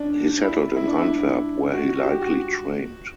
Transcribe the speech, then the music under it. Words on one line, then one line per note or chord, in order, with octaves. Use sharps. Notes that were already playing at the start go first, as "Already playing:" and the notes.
He settled in Antwerp where he likely trained.
Already playing: C#4 D4
E4
E4
D4
E4
F#4
F#4
G4
F#4